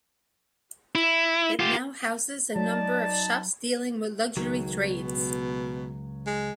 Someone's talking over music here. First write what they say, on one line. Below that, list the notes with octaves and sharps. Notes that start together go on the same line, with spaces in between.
It now houses a number of shops dealing with luxury trades.
E4
F4 G4
F#3 D#4 D5 A5
C#2 D#3 F#3
B2
G#3